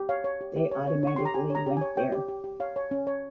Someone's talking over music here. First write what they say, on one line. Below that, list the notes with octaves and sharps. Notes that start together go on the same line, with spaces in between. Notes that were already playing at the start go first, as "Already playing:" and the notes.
They automatically went there.
Already playing: G4
C#5 F5
C#5
G4
G4
C#5
C#5
C#5 C#6
G4 C6
A#5
G4 G#5
C#5 A#5
G4
C#5 G#5
C#5 G5
G4
G4
G4
C#5 F5
C#5
C#4
C#5